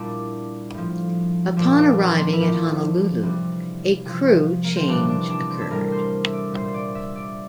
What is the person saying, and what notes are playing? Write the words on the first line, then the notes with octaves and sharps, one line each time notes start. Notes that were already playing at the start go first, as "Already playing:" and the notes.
Upon arriving at Honolulu, a crew change occurred.
Already playing: A#2 G3 D4 E4
A2 F3
A#2 F3 D4
D4
C4
A#3 C4
E4
A2 F3 D4
C3 E3 G3
C3 F3
A#3
C4
C3 E3 G3 D4
D4
D4
C4
A4
A2 G3 A#4
C5
E5
D5
A#2 G3 C5
C5
D5
E5
D5